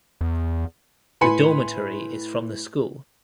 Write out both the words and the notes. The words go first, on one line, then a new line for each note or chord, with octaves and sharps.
The dormitory is from the school.
E2
A2 B4 G#5 B5 C6 C#7